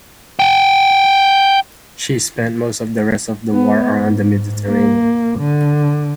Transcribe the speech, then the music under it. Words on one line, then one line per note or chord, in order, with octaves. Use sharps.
She spent most of the rest of the war around the Mediterranean.
F#5 G5
B3
G#2
A#3
D3